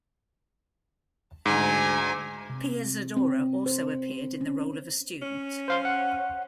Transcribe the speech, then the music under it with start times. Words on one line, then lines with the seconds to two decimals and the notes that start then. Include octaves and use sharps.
Pia Zadora also appeared in the role of a student.
1.46 D2 G#2 G#5 A#5
2.50 C3
3.17 C4
3.66 C5
4.41 C#4
5.22 C#4
5.68 C5 F5 C6
5.85 F#5